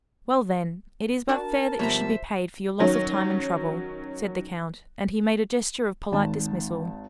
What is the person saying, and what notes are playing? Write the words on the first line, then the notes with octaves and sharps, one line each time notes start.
"Well, then, it is but fair that you should be paid for your loss of time and trouble," said the count; and he made a gesture of polite dismissal.
D4 F#4 A#4 A5
B2 F3 G3 C5 C#5 E5 A#5
D#3 F#3 C#4
G#1 D#3 A5